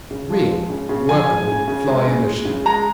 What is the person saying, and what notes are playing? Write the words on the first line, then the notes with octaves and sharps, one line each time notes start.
Real, workable, flying machines.
C#3
F3
G#3
C#3
C#3
F3 G#5
G#3
C#3
C#3
G#3
C#3
G#3
C#3
G#3 A#5